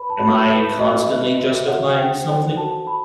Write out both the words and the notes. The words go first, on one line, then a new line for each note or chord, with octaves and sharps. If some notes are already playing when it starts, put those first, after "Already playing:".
Am I constantly justifying something?
Already playing: B4 B5
A5
F#4 B5
B4 E5
F#4 D#5
B4 E5
F#4 E5
F#4 F#5
C5 G5
A4 G5
F#4 A5
F#4 B5